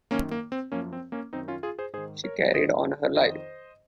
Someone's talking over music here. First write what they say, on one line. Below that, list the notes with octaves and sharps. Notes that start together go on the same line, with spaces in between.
She carried on her life.
F#2 D#3 A#3 C#4
A#3
C4
F#2 F3 A#3 C#4
C4
A#3 C#4
F#2 D#3 C4 D#4
C#4 F4
F4 G#4
G#4 C5
G#2 D#3 G#4 C5
A#4 C#5
G#2 D#3 C5 D#5
F2 D#3 C5 D#5